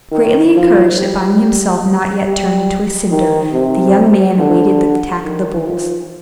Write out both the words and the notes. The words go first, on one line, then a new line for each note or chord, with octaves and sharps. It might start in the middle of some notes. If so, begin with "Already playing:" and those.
Greatly encouraged at finding himself not yet turned into a cinder, the young man awaited the attack of the bulls.
D#3
F3
G3
G3
D#3
C3
D3
D#3
F3